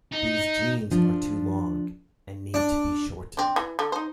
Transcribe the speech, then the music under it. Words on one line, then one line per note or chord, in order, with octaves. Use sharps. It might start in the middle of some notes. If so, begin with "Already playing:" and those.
These jeans are too long, and need to be shortened.
D#4
F3 D4
D4
C4 D4
E3
D3
D#4 C5